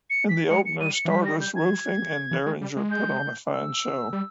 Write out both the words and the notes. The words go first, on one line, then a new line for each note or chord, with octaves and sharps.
In the opener, starters Ruffing and Derringer put on a fine show.
C#7
B6
G#3 C#7
C#7
G3 D#7
C#7
E3
G3 B6
A#6
G6
G#6
E3
G#3
G3
G#3
G6
E6
G3